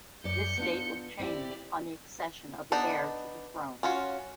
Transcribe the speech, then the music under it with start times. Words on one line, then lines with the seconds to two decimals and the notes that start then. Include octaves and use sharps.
This date will change on the accession of the heir to the throne.
0.24 F#2 D5 G6 C#7
0.57 B3 D4 F4
1.20 C4 E4 G4 D5
2.72 B3 D4 D#4
3.83 C#4 F4 F#4